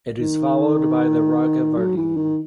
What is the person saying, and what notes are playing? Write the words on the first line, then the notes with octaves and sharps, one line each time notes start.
It is followed by the ragavardhini.
D#3
F#3
E3
D#3